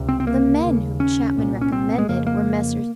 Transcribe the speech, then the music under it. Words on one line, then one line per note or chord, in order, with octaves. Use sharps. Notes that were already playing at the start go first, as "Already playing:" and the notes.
The men whom Chapman recommended were Messrs.
Already playing: C#2 C3
C4
C4
A#3
D#2 C#3
C#4
C2 A#2
C#4
C4
G#3
F2 C#3 A#3
A#3